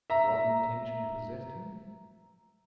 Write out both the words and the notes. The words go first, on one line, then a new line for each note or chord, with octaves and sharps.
What intention possessed him?
E5 A#5